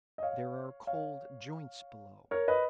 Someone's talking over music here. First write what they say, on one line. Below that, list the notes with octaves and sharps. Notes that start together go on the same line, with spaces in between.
There are cold joints below.
D#5
C#5 F5
C#5 F5
A#4 C#5
B4 D#5